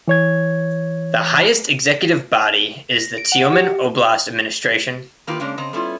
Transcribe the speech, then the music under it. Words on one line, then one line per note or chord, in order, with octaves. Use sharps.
The highest executive body is the Tyumen Oblast Administration.
E3 C#5 G#6
A#6
D7
F#5
G4
D#3 A#3 D#4 F4 G4 B4
C#3 G#3 A#3 C#4 D4
C#3 C4 D#5 A#5
G3 A3 B3 C#4 E4 F4